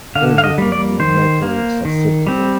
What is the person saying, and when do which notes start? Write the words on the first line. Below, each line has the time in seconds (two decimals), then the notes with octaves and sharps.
Everything would make her susceptible.
0.15 D3 F5
0.38 F5
0.44 D#5
0.58 G3 A#3
0.72 D5
1.00 D#3 C5
1.42 A#3
1.85 D#3
2.27 G3 C4